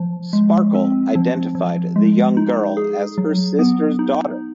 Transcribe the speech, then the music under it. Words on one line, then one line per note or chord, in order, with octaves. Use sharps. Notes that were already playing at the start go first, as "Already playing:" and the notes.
Sparkle identified the young girl as her sister's daughter.
Already playing: F3
G#3
C4
F3
F3
G#3
D#4
G#4
F#3
B3
D#4